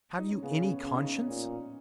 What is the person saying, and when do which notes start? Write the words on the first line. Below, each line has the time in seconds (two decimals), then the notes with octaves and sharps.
Have you any conscience?
0.19 D#4
0.30 C#4
0.42 C#3 B3
0.64 C#4
0.84 C#3 C#4
0.96 D#4
1.05 C#4
1.27 A#2